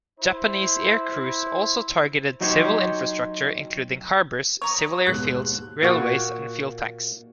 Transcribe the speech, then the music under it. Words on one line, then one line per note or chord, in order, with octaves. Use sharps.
Japanese aircrews also targeted civil infrastructure, including harbours, civil airfields, railways and fuel tanks.
E4 C5
F#3 D#4 F#4 G4 C5 C#5
C#5 A#5 C#6 D#6
D#2 G#2 B2 F#6
A#2 F#4